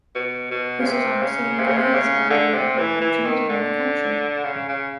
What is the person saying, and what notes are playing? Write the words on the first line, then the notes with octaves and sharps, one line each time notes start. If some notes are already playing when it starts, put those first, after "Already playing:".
This was on the same day as other local elections around the country.
B2
B2
C#3
C3
C#3
C3
C#3
C3
C#3
D3
C3
E3
E3
D#3
D3
C#3
C#3